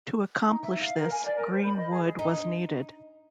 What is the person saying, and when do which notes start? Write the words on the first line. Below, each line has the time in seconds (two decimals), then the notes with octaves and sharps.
To accomplish this, green wood was needed.
0.47 D#4
0.62 E5
0.80 F5
0.98 A#4
1.10 G#5
1.23 D5
1.35 A#4
1.49 C5
1.63 B5
1.75 D#5
1.89 G#4
2.19 D#4